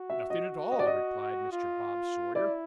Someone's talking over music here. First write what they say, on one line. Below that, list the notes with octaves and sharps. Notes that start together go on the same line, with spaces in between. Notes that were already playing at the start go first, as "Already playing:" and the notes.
'Nothing at all,' replied Mr. Bob Sawyer.
Already playing: F#4
E5
D#5
D#5
D5
D#5
F4
E4 D5